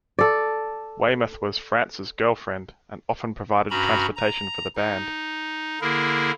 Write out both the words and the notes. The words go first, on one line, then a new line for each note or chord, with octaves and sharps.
Weymouth was Frantz's girlfriend and often provided transportation for the band.
A4 D5
G2 C#4 F#4 A#5 B5
A#5
D#4
D3 A#3 E4 G#4 A#4